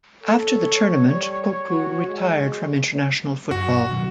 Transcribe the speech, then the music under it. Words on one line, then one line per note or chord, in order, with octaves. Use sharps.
After the tournament, Cocu retired from international football.
A4 C#5
G3
F#4
G#3
F#2 F#4
B2 D#3 F#3